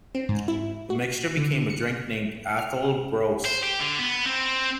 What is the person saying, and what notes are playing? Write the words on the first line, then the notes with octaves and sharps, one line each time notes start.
The mixture became a drink named Atholl Brose.
C4
G#2
E4
F#4
D3
C#7
F6
C5
G4
D3
B3
C4